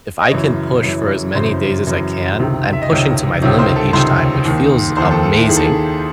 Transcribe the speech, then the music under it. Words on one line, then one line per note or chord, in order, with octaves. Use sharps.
if I can push for as many days as I can, and pushing to my limit each time, which feels amazing,
D#5
F#2 C#3 E3 C#5
F#2 C#3 E3
F#2 C#3 E3 C5
F#2 C#3 E3
C#2 C3 D#3
E5
D#5
C#2 C3 D#3 C#5
C#2 C3 D#3 C#5
C5
A4
C#2 C3 D#3 C5
D#2 D#3
D#2 D#3 C5
A4
A4
E4
D#2 D#3 G#4
A4
G#4